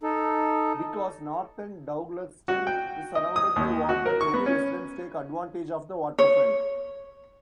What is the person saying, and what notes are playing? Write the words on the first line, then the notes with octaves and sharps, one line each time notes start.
Because northern Douglaston is surrounded by water, many residents take advantage of the waterfront.
D#4 A4
F#4
G5
D#5
D#6
D#2
F#4
A#4
C#6
B3
C#4
C#5